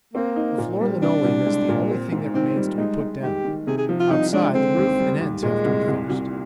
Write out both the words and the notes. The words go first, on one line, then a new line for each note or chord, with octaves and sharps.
The floor linoleum is the only thing that remains to be put down; outside, the roof and ends have to be finished.
A#3 C4
D#4
A#2
G3
C2 D4
C2
G#3
A#2
C4
G#2
D#3 C4
G3
G#3 D#4
G#3
D#3 G4
D#3
C3 G#4
G#4
F3
F4
C2 D#4
G#3 D4
D3 C4
D#2
G3
D#2
A#2 G#3
C2
C2
C2